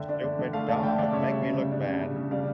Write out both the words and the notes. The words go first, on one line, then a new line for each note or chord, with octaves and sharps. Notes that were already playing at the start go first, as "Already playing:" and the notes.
"Stupid dog, make me look bad."
Already playing: D3 E5 G5
D4
D3
D3
A3 F5 A5
D3 F5 A5
D3 E5 G5
D3 D5 F5
C#3 C#5 E5
G3
C#3
G3
D4
C#3
C#3
C#3
G3 D5 F5